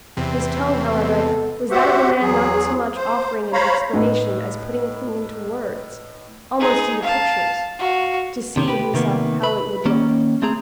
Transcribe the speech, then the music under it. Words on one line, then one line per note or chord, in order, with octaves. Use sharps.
His tone, however, was that of a man not so much offering an explanation as putting a thing into words--almost into pictures--to see, himself, how it would look.
E2 C3 E3 C4
B3 A4
F#4 G4 C5 E5 F#5
E2 F#3 G#4
C5
C5 C#5 F5 A#5 B5
A2 D#4 B4
D#4 G#4
F5 A5
F#4 F5
D#2 C3 D#3
G4 B4
C3 D#3 A#3 B3
B4 B5
D#3 A#3 C#4
A3 C4 G#4 A#5